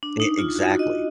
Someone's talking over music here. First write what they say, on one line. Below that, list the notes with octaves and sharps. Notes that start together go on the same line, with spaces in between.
E exactly,
D4
D#4
F4
F#4
D#5